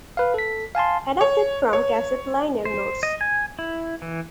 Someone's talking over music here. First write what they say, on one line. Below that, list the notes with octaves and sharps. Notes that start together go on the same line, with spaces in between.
Adapted from cassette liner notes.
B4 F5
A4 B6
F5 G#5 A5 C6
C#5
C#5
C5
D#5
G#5
E4
E3